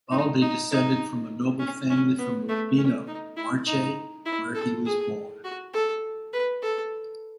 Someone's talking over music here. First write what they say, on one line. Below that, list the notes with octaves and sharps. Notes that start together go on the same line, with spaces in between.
Baldi descended from a noble family from Urbino, Marche, where he was born.
D#4
D#4
D#4
C#4
C#4
B3
A3
C#4
D#4
E4
D#4
E4
A4
G#4
F#4
A4
B4
A4